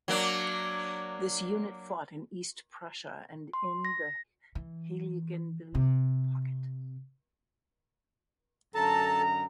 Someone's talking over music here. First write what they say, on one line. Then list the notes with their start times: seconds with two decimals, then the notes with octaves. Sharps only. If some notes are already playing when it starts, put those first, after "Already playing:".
This unit fought in East Prussia and in the Heiligenbeil Pocket.
0.08 F#3 A#3 D4
3.53 C6
3.85 A#6
4.55 E3
5.75 C3
8.75 F#2 D3 A4 A5 A#5